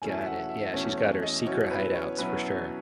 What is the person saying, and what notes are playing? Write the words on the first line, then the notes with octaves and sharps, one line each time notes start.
Got it. Yeah, she's got her secret hideouts for sure.
E2 B2 A3 C#4 E4 G#5
E5
F#5
E5
E2 B2 A3 C#4 E4 C#5
C#5
D#5
B2 F#3 C#4 E4 C#5
B4
C#5
B2 F#3 C#4 E4 B4